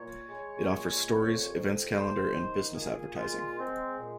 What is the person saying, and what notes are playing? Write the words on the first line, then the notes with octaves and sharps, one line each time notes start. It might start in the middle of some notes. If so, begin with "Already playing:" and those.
It offers stories, events calendar and business advertising.
Already playing: A#2 C#5
G#3
A#2
F2
F2
C3 C5
D#3
A#2 G#4
G#3 F4
G#3 C4
A#2